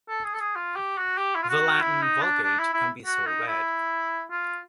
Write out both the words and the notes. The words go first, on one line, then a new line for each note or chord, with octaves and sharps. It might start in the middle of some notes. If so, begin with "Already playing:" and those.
The Latin Vulgate can be so read.
A4
G#4
A4
G#4
F4
G4
F#4
G4
E4
F4
F#4
E4
D#4
D4
D4
E4
E4
F#4
D#4
E4
F4